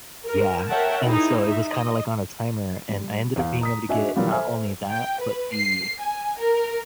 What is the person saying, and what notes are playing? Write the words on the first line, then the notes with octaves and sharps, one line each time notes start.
Y eah, and so it was kinda like on a timer, and I ended up being able to get not only that, but the,
A#4
A#4 C#5 E5 F#5 G5 A5
D#4 E4 G#4
D#4 E5
D#5
G3
E2 F5
A#5 D#6 B6
D4 F#4 D#5 E5 G#5
B2 D#3 E3 F#3 G3 F4
A4 C5 E5 G#5 F6
G5
B4
C7
G#5
A#4